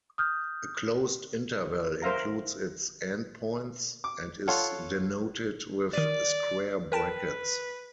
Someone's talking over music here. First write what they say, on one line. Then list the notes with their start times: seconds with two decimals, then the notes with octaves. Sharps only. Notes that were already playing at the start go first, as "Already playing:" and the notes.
A closed interval includes its endpoints, and is denoted with square brackets.
0.18 D#6 F6 G6
2.02 A#4 C5 E5 F5 A#5
4.04 D6
4.48 F4 A4 C#5 F#5 C6
5.93 D#3 D5 D#7
6.92 A#4 B4 G5 A5